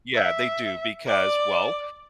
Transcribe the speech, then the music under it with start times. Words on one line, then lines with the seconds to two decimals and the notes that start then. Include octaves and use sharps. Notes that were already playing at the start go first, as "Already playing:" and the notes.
Yeah, they do, because, well,
0.15 E5
1.07 D5